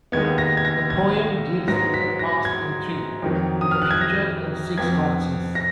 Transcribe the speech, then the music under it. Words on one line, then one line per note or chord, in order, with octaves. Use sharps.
The poem deals with the past in three, with the future in six verses.
D#2 D#3 G#3 B3 G#6
A#6
G#6
A#6
G#6
G#2 F#3 B3 A#6
B6
A#6
G#6
F2 D#3 F#3
D#6
F6
F#6
G#6
A#6
F2 F3 B3 G#6
A#6